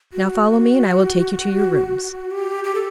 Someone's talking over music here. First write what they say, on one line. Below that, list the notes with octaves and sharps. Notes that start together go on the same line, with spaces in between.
"Now follow me and I will take you to your rooms."
F#4
G4
G4
A4